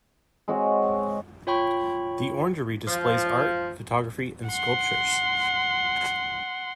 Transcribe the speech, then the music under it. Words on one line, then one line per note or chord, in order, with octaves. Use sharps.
The orangerie displays art, photography and sculptures.
G#3 C4 F#4 C#5
F4 C#5 G5 B5 C#6
F3
F#5 C6